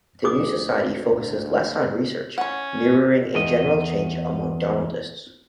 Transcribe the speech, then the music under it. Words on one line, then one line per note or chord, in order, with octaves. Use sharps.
The new society focuses less on research, mirroring a general change among donaldists.
D2 G#4 D6 D#6
C#4 C#5 F#5
E2 D#5